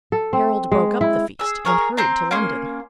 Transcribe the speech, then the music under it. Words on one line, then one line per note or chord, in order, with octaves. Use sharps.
Harold broke up the feast and hurried to London.
A4
C4
G#3
E4
G#4 E6
G#4 A#4 C#5
C4 A#5 C6
A#3 C#4 C6